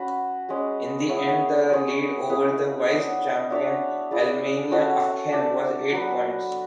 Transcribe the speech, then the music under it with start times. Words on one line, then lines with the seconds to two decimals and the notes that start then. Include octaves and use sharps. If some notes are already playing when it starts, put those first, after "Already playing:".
In the end the lead over the Vice Champion Alemannia Aachen was eight points.
Already playing: C#4 F#4 B4
0.49 G#3 C#4 G#4
1.09 B3 E4 G#4 C#5
1.70 C#4 G#4 C#5
2.29 C#4 E4 G#4 B4
2.90 B3 D4 G#4 C#5
3.50 D4 F#4 C#5 E5
4.11 E4 G#4 D5
4.71 C#4 F#4 A4 C#5
5.32 D4 A4 E5
5.92 F#3 B3 F#4 B4